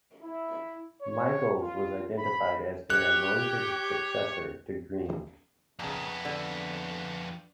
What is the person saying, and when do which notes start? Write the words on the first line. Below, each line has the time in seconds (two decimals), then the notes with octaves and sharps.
Michaels was identified as the anointed successor to Greene.
0.22 E4
1.02 C#5
1.61 F4
2.17 B5
2.90 G4 C#5 F#6
5.79 F2 A#2 C#3 B3
6.25 D3